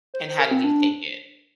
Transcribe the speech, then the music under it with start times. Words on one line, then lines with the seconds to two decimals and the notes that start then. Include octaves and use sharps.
And how did he take it?
0.14 C5
0.26 C5
0.39 A#4
0.51 C4
0.64 D4